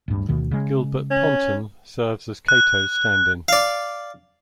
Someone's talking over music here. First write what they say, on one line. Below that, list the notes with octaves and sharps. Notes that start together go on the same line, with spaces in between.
Gilbert Ponton serves as Cato's stand in.
D1 G2
D2 B2 D#3
C#3 G#3
C#4
F#6
D5 F5